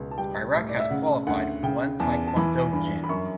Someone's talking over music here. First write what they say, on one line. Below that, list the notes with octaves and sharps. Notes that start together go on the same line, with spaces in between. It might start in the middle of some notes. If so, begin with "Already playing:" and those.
Iraq has qualified one taekwondo jin.
Already playing: C#2 B2
A5
G3 G5
A2
D5
E5
C#3 F#5
D2 F#5
C#3 G5
E2 A5
A5
E3 B5
G2 B5
B5
F#2 C#6